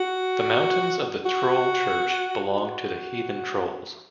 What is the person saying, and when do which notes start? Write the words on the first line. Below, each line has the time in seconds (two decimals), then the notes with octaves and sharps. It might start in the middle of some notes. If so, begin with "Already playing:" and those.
The mountains of the troll church belong to the heathen trolls.
Already playing: F#4
1.25 F#4
2.62 F#4